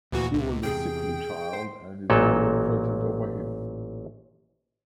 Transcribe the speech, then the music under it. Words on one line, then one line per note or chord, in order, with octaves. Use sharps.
He was a sickly child, and his mother fretted over him.
D2 A#2 E3 F#4
C#2
E2 C3 G#4 G5
C5
A1 A#2 F#3 A4